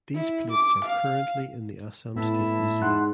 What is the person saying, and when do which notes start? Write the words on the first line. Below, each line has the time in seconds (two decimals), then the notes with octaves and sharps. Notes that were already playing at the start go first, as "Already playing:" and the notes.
These plates are currently in the Assam State Museum.
0.15 E4
0.50 D6
0.85 F5
2.16 A2 B3 E4 A5
2.82 G#2 F#5 C6 F#6